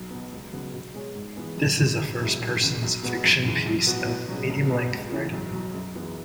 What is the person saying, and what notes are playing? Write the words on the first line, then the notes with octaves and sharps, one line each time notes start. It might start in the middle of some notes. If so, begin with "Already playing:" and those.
This is a first-person fiction piece of medium-length writing.
Already playing: B1
B2 B3
C#2
C#3 F#3 B3
B2
G#3 B3 G#4 C#5
G#2
E3 B3 G#4
F#2
C#3 G#3
B1
B2 G#3 E4
F#1
E2 C#3
B1
B2 G#3 B3 F#4
F#2
C#3 E3
B1
B2 B3 F#4
B2
F#3 C#4 G#4
B1
B2 B3
C#2
C#3 E3 G#3
B1
B2 F#3
F#2
E3 B3 G#4